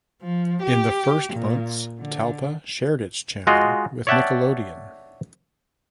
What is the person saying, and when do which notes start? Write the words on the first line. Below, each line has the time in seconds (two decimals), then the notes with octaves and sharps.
In the first months Talpa shared its channel with Nickelodeon.
0.21 F3
0.62 G4
1.33 A#2
1.99 D3
3.47 G#3 F4 F#4 D#5
4.07 C#5 D5 E5 F#5 G5 A5